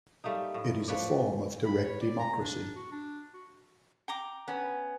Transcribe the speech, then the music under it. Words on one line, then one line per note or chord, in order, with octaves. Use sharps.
It is a form of direct democracy.
G3 A3 A#3 D#4
A2
F3 B4 C#5 D5
B5
C#5
D5
A#5
D4
F#4
D4
F#4
G5 A#5 D6
B3 C#4